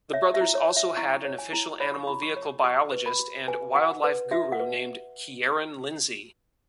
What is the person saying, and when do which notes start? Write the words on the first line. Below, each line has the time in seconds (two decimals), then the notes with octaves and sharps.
The brothers also had an official Animal-Vehicle Biologist and Wildlife Guru named Kieran Lindsey.
0.13 C#5 E5
0.34 E5
0.41 E4
0.55 C#5
0.69 C#5
0.76 E5
0.97 E4 C#6
1.25 C#5
1.38 G#5
1.53 E4
1.80 C#5 B5
1.94 C#6
2.07 E4 B5
2.22 C#6
2.36 C#5
2.64 F#4 C#6
2.92 B4
3.06 B5
3.20 F#4
3.48 B4 G#5
3.75 F#4 F#5
4.04 B4
4.31 F#4 E5
4.52 F#5
4.60 B4